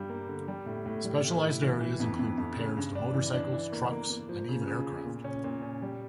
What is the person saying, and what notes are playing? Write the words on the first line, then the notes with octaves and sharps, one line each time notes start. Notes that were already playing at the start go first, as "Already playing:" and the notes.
Specialised areas include repairs to motorcycles, trucks and even aircraft.
Already playing: G2 G3
A#3
D3
G3
A2
A2
G3
A2
E4
E3
E3
F2
F2
F2
C#3
G2
D4
E3
D4
E3
A#3
A#3
A#3
F3
C#3
C#3
C#3
A#2
C#4
A#2
C#4
G3